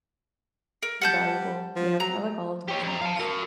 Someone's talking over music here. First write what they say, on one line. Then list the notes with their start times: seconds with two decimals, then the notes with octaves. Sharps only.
valuable. Yeah, I like all of them, if I'm honest.
0.83 A#4
1.02 G3 F#5 A5 G6
1.76 F3
2.00 F#3 A#5
2.68 G4 C#5
2.83 F2 A#5
3.01 F5 A5
3.19 F#4 A#4